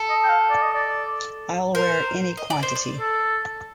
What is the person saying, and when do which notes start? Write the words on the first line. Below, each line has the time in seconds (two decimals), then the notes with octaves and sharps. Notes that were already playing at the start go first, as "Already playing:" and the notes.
I'll wear any quantity.
Already playing: A4
0.09 D#5
0.24 G5
0.29 F5
0.50 D5
0.62 D#5
0.74 D5
1.75 A#4 C5
2.37 D#5
2.50 D5
2.63 C5
2.75 D5
3.00 A4